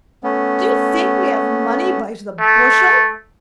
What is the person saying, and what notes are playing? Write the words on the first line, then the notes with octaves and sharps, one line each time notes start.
'Do you think we have money by the bushel?'
A3 B3 C#4
A3